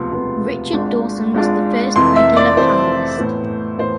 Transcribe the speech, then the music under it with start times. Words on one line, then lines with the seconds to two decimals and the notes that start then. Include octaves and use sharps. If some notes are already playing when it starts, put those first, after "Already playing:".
Richard Dawson was the first regular panelist.
Already playing: E1 D2 C3 F3 B3 C6
0.11 E1 D2 C3 F3 B3
0.73 G#1 G#2 G#3 D4 F4
1.34 G#1 G#2 G#3 D4 F4
1.96 F1 F2 E3 C6
2.16 E5
2.36 D5
2.57 F1 F2 E3 C5
3.18 A2 E3 B3
3.78 A2 E3 B3 C5